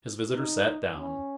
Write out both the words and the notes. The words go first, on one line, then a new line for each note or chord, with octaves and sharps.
His visitor sat down.
D#4
C#4